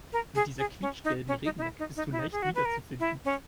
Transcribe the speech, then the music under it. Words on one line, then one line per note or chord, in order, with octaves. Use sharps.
Mit dieser quietschgelben Regenjacke bist du leicht wiederzufinden.
A#4
G#4
G#4
C#4
D#4
C#4
D#4
D#4
E4
D#4
D#4
E4
D#4
G#4
F#4
B4
A#4
E4
C#4